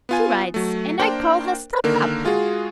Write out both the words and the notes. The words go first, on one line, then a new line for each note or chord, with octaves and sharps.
"She writes; and I call her stuck up."
B3 F4 G#5
F#3 A3
A#3 D4 A#4 C5 G5
D3 D#3 A#3 A#4
G#3 F4 F#4 G#4